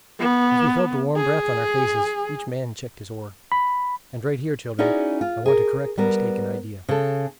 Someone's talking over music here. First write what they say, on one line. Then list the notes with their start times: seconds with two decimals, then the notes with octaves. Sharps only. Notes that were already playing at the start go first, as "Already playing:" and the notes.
As we felt the warm breath on our faces, each man checked his oar. And right here, children, I want to correct a mistaken idea.
0.20 B3
1.17 G#4
3.52 B5
4.79 C#4 D#4 E4 F#4 G#4 D5
5.21 F4
5.46 G#4 A#4
5.98 G3 B3 A#4
6.89 C#3 A4